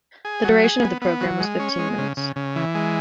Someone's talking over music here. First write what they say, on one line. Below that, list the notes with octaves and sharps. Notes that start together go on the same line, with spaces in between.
The duration of the programme was fifteen minutes.
G#4
F#3
G#4
B3
B3
F#3
G#3
C#4
G#3
C#3
C#3
C#3
E3
G#3